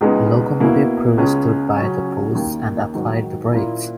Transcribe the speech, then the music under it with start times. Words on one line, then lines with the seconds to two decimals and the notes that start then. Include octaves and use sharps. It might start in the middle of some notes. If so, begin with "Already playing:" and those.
The locomotive crew stood by their posts and applied the brakes.
0.01 C#2 C#3 G#3 B3 D#4
0.60 B2 A#3 E4
1.18 C#2 C#3 G#3 C#4
1.77 C#3 F#3 C#4
2.35 D#2 D#3 A#3
2.94 G#2 D#3 F#3
3.51 A#2 A#3 E4